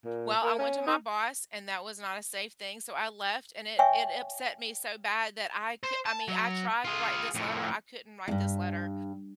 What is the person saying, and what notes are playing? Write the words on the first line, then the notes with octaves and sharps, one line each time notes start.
Well, I went to my boss, and that was not a safe thing, so, I left, and it it upset me so bad that I c I mean, I tried to write this letter, I couldn't write this letter.
A#2
A#3
C#4
D#4
C#5 E5 G5 G#5 C#6
C5
A5
F#3
F4 G#4
F2 A2
E2 G2